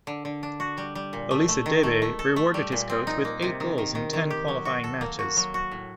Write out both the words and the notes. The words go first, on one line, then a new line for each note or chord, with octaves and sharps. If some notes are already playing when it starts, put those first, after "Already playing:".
Olisadebe rewarded his coach with eight goals in ten qualifying matches.
D3
D3
D4
F#4
G3
G3
A#2
A3
A3
D#3
A3
A3
A4
A3
G3
A#2
C4
D#4
A#3
C3
D#3
D#3
D#3
D#3
G4
F#3
F#4
A4
A#3
F#4
F#3
F#4
A2